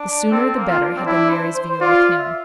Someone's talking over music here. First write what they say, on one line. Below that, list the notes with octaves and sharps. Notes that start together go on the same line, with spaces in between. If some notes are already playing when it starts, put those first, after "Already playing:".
The sooner the better had been Mary's view with him.
Already playing: D4
C4 A4
A#3
F4
D4
C4
D4 E4
C5
C5
C5
F4 D5
F5
E5